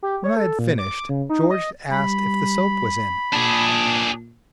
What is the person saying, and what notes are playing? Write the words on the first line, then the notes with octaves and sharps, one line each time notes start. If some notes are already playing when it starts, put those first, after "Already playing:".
When I had finished, George asked if the soap was in.
G4
C#5
A4
A#2
D6
C#3
D#4
D#5
G3 B5
A#2 D4 G#4